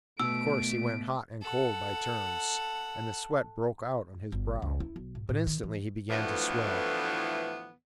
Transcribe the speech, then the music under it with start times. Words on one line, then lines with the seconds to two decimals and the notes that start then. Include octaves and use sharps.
Of course, he went hot and cold by turns, and the sweat broke out on his brow, but instantly he began to swell.
0.20 B2 A3 E6 D7
1.42 A4 F#5
4.32 G1
4.62 C#2
4.80 E4
4.96 B1
5.15 G#2
5.29 A2
5.47 D#3
5.64 E3
6.10 D2 A2 E3 F3 A3 B3